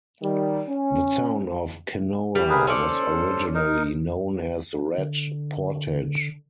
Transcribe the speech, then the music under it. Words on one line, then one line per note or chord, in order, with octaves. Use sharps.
The town of Kenora was originally known as Rat Portage.
D#3 G3
C#4
G3
G#4 A#4 B4
C#4 A4 C5 D5
D#4 A#4
D3